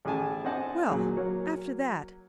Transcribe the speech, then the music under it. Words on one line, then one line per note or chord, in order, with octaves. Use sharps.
Well, after that...
A1 A2 G#4 G#5 A5
C4 D4 D#5 F#5 G#5 A5
A#2 F#3 G#4
F#3 A#3 C#5